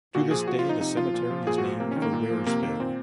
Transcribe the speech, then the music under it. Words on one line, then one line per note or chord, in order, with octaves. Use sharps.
To this day the cemetery is named for Waresville.
A#2 F#4
F3 G#4
A#2 F#4
F4
F3
D#4
C3 D#4
F3 F4
A#2
F3
A#2 G#4
F#4
F3
C3 A#3
C#4
D#3
A#3
A#2
F3
C3 A#3
D#3 A#3
A#2 C4